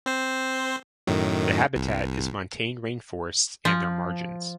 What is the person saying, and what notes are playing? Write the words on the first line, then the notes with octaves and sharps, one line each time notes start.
The habitat is montane rainforests and their margins.
C4 C5
F#2 A2 D#3
C2
F3